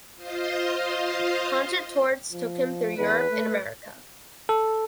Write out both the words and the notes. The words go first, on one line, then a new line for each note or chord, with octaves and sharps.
Concert tours took him through Europe and America.
F4 C5 D#5 F5 C6
F3
E2 B4
A3
A4